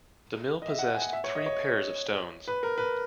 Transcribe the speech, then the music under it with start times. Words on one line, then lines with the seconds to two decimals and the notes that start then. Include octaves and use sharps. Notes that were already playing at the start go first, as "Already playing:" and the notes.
The mill possessed three pairs of stones.
0.62 D#5
0.68 E5
0.79 F#5
0.95 G#5
1.02 F#5
1.13 E5
1.24 C#5
1.35 D#5
1.46 C#5
2.48 B4
2.63 A#4
2.78 B4